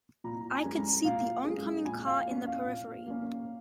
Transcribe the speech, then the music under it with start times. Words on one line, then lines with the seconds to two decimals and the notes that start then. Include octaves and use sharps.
I could see the oncoming car in the periphery.
0.24 A#2 A#5
0.51 G#5
0.64 G#3 C#4
0.77 A#5
1.04 A#2 F5
1.44 G#3 C#4 G#4
1.85 A#2 G#5
2.06 F5
2.26 A#3
2.31 C#4
2.46 F5
2.66 A#2
3.06 A#3 C#4